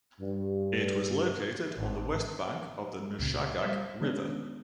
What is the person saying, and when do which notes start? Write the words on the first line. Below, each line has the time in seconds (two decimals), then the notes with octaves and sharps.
It was located on the west bank of the Nushagak River.
0.20 G2
1.77 G#1
3.19 C#2 A#2 C#3
3.62 G3 C5 F5 D#6 B6 E7
4.01 D#3 G#3 B3 C#4 D4